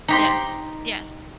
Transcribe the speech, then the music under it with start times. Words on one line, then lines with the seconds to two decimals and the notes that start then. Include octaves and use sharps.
Yes, yes.
0.08 D#4 G4 C6